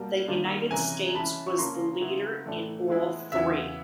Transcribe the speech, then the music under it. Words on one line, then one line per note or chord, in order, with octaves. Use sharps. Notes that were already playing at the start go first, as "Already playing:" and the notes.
The United States was the leader in all three.
Already playing: B2 G3 A#3 A5
D#3 G3 A#3 D4 F4
C3 E3 G#3 C#4 G#5 A#5
E3 G#3 C#4 E4 A5 B5
C#6
C#3 F3 A#3 C#4 A#5 C6
C#3 F#3 B3 E4
A2 E3 A3 D4
E3 G#3 B3 E4
E2 C#3 F#3 B3 E4 E5